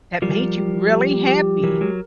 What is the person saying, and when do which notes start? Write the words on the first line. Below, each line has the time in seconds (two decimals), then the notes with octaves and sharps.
that made you really happy?
0.22 F3 G3 A#4
0.58 G4
0.93 G4
1.27 G4
1.63 E3 F#3 A#4
1.81 F#3 G#3